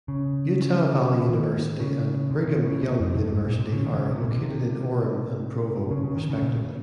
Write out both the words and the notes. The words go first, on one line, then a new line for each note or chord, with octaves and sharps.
Utah Valley University and Brigham Young University are located in Orem and Provo respectively.
C#3
D#3
C#3
C3
D#3
C#3
C3
F2
G2
G#2
A#2
C3
C#3
D#3
C#3
C3
A#2
C3
C#3
C#3
D#3
C#3
A#2